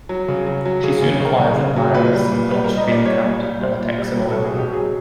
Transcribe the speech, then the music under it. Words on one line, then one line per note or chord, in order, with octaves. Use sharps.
She soon acquires admirers, an Austrian count and a Texan oil man.
F#3
C#3
F#3
F#3
C#3 G#4
G#4
C#3
C#3 A#4
C#3
C#3
F#3
A#2 B4
G3
A#2
G3 B4
A#4
G3
D#5
A#2 D5
G3 C#5
A#2
G3
G3 C5
A#2
G3
F#3 B4
A4
B2
G#4
B2 G4
F#3 G#4